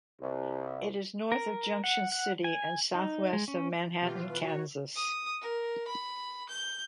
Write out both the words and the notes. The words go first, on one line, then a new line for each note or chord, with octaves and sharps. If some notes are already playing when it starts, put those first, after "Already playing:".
It is north of Junction City and southwest of Manhattan, Kansas.
C2
A#4
F#5
F#5
G#5
D#4
G#3
C#4
B2 E3 F4 G4
B4
F#4 C#5
D#6
A#4
B5
G6